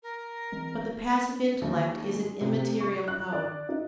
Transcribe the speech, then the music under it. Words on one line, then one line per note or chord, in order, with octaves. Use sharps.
But the passive intellect is an immaterial power.
A#4
E3 G#3 C4
D#2
G#3
C3
C#6
F#6
D5
D#4